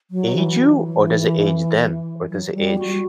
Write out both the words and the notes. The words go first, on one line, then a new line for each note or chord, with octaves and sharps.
age you? Or, does it age them? Or does it age
F#3
E3
E3
F#3
G3
F#4